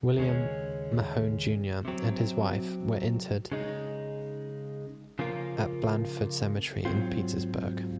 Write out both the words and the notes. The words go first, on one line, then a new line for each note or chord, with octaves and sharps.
William Mahone Junior and his wife were interred at Blandford Cemetery in Petersburg.
D#2 C#3 G#3 C#4
C3 F#3 C4
C#3 G#3 D#4
C#3 F3 A#3 F4
G#2 F#3 C4 F4